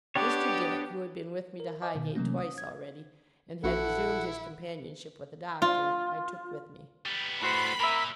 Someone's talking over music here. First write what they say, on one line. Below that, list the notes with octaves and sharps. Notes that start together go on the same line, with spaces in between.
Mr. Dick, who had been with me to Highgate twice already, and had resumed his companionship with the Doctor, I took with me.
B3 D4 G4 C#5 G5 D6
A#4
C5 D#5 G#5 D6
B2 D#3
C3 E3 F#3 A3 A#3 C#4
D#6
G#6
A#1 E4 F#4 A4 F#5
F4
G3 B3
A2 F#4 C5 B5
A#2 A#4 E5